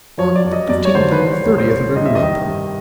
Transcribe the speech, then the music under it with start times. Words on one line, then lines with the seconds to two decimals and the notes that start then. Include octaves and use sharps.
"On the fifteenth and thirtieth of every month."
0.18 F#2 C#5
0.36 D5
0.45 F#2
0.53 D#5
0.69 F#2 D5
0.85 C#5
0.95 D3 C5
1.12 B4
1.20 C2 C5
1.32 C#5
1.45 C2 C#5
1.58 C5
1.70 C2 C#5
1.96 C2 D#5
2.06 E5
2.15 D#5
2.22 D#3
2.46 G2